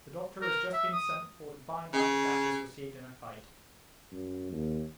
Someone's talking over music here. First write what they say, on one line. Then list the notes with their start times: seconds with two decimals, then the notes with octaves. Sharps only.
The doctor has just been sent for to bind up the gashes received in a fight.
0.41 A#4
0.73 E5
0.93 D#6
1.93 C#3
4.12 F#2
4.52 D#2